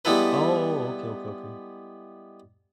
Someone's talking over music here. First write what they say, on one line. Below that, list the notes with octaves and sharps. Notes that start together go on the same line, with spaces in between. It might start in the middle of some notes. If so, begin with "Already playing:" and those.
Oh, okay, okay, okay.
G3 G#3 B3 E4 A4 B4